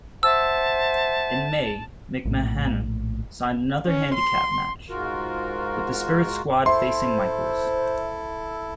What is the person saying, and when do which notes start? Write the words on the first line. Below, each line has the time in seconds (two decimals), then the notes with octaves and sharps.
In May, McMahon signed another handicap match, with The Spirit Squad facing Michaels.
0.23 C5 E5 F#5 A5 E6
2.25 A#1 A2
3.87 C#4
4.15 C6
4.89 G#2 F4 F#4 A#4
6.66 E4 A4 C5 E5 C6